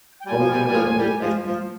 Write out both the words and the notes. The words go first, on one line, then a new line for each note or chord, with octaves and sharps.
Oh, you have, like, one of those nice vintage
G5
G3 G#5
F3
G3
G3
F3
G3
F3
F3